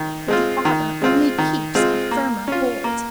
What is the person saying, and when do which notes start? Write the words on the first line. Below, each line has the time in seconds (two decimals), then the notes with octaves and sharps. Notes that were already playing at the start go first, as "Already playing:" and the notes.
But the otter only keeps a firmer hold.
Already playing: D#3
0.28 G#3 C4 F4
0.65 D#3
1.02 G#3 C4 F4
1.38 D#3
1.75 G#3 C4 F4
2.11 A#3
2.48 C#4 F4
2.84 A#3